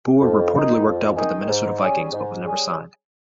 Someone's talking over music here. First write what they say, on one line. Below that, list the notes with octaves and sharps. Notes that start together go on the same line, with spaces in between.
Bua reportedly worked out with the Minnesota Vikings, but was never signed.
F2
D#3 G#3 D#4 G#4
F2
D#3 G#3 D#4 G#4
G#2
G3 C#4 G#4
G#2
G3 C#4 G#4